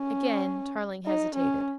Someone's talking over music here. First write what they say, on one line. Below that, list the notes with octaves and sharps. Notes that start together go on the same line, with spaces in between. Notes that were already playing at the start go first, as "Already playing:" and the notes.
Again Tarling hesitated.
Already playing: C#4
D#4
C#4